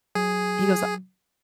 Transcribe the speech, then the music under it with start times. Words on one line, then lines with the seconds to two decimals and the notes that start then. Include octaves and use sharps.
he goes, uh
0.15 F#3 G#4